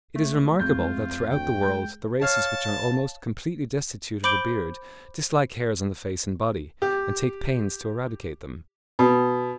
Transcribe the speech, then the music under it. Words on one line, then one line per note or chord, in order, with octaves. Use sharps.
It is remarkable that throughout the world the races which are almost completely destitute of a beard dislike hairs on the face and body, and take pains to eradicate them.
C#2 A3
F2 G#3 F4 G6
D2 G5
G#3 G6
C#5 F5 A5
C5 B5 D6 G6 D7 G7
G4
B2